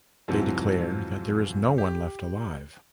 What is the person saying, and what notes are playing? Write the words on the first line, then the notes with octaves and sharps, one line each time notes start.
They declare that there is no one left alive.
F2 G#2 C3 E3 F#3
G4